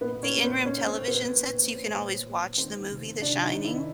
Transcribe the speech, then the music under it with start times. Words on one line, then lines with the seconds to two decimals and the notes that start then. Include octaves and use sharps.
the in-room television sets, you can always watch the movie, The Shining,
0.01 A#2 B3 B4
0.17 A#2
0.23 C#4 C#5
0.34 A#2
0.44 C4 C5
0.49 A#2
0.65 A#2 C#4 C#5
0.78 A#2 C#5
0.86 C4 C5
0.98 A#2
1.08 B3 B4
1.13 A#2
1.29 A#2
1.45 A#2
1.61 A#2
1.77 A#2
1.93 A#2
2.10 A#2
2.26 A#2
2.42 A#2
2.58 D#3 C4 C5
2.74 D#3
2.90 C3
3.06 C3
3.22 C3 D4 D5
3.38 D#3
3.43 D#4 D#5
3.54 C3
3.65 E4 E5
3.70 D#3